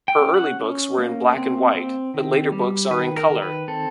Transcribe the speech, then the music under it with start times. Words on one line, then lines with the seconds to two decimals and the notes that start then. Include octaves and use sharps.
Her early books were in black-and-white, but later books are in color.
0.08 G5
0.21 C#4
0.34 F#5
0.60 C#4
0.98 A#3
1.37 C4
1.75 C4
2.14 D#3
2.52 G3
2.91 D#3 B4
3.17 A#4
3.30 D#3
3.42 B4
3.68 C4 A4